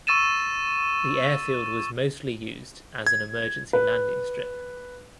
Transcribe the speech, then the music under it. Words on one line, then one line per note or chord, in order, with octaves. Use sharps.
The airfield was mostly used as an Emergency Landing strip.
C#6 E6 A6 D#7 E7
G#6
B4